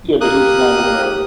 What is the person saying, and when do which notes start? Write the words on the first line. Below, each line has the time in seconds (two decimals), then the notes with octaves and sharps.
Yeah, but he's not even a
0.21 A#3 G4 D#6 F#6